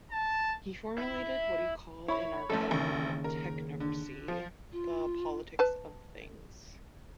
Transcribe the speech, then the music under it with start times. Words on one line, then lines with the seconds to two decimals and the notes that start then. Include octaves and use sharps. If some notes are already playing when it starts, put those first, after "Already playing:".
He formulated what he called Anarcho - Technocracy : 'The Politics of Things'.
0.11 A5
0.98 E4 E5
2.08 E4 C#5 B5 C#6
2.50 A#1 A3 C#4 A4
2.71 A1 D#2 C#3
3.24 A#4
3.80 D3
4.28 F3
4.72 F4
5.59 B4 A5